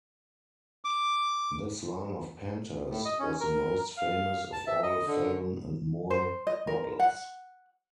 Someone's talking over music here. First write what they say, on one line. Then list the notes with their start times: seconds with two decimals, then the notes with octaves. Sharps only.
This line of Panthers was the most famous of all Phelon and Moore models.
0.85 D6
2.90 A2
3.05 D#5
3.19 C#4
3.40 A#4
3.97 F5
4.52 A5
4.67 E5
4.83 D#5
5.07 D3
6.10 C5
6.47 D#5
6.67 A#4
7.00 F#5